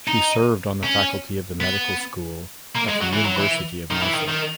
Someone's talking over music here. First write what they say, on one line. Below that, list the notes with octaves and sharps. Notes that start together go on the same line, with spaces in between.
She served on the faculty of the medical school at the University of Mysore.
D#4
C#4
B3
A#3
G#3
F#3
E3
F#3
E3
D#3
E3
D#3
D#3